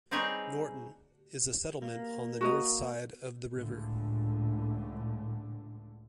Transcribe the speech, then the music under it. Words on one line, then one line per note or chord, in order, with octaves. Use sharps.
'Norton' is a settlement on the north side of the river.
G3 C4 D#4 G#4 B4 C#5
A#3
F#4 A#4 D#5
C#2 A2 D3